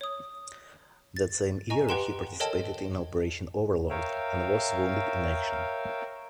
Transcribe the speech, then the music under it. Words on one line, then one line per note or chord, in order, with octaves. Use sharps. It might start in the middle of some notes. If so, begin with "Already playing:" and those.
That same year he participated in Operation Overlord and was wounded in action.
C#5 D#6
A6
D#5 G#5 A#5 C#6
G4 B4 F#5 G5 C6 E7
A4 A#4 C#5 D#5 G5 A5
A#4 C#5 E5 F5 G5